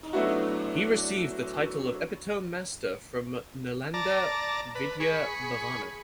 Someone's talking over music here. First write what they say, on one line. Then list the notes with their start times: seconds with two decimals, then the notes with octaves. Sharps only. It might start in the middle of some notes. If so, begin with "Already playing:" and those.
He received the title of Epitome Master from Nalanda Vidya Bhavana.
0.13 F#3 A3 B3 D4 E4 F#4
3.94 D5 A5 A#5
4.75 B4
5.00 G#4 B5 C#6